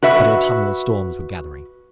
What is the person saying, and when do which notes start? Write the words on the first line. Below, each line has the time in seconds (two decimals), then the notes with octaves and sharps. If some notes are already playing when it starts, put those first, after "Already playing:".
But autumnal storms were gathering.
0.03 F#4 B4 E5